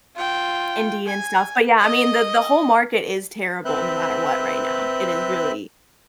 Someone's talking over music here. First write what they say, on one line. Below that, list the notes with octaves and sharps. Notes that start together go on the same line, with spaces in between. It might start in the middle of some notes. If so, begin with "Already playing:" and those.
Indeed, and stuff, but yeah, I mean, the the whole market is terrible no matter what right now, it is really,
F4 G5
G#5
D#5
C4 B4 E5 F#6 G6